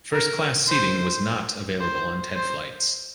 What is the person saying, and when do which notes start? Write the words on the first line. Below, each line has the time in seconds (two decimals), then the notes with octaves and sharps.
First class seating was not available on Ted flights.
0.13 A#4
0.69 C5
1.81 C5
2.36 C5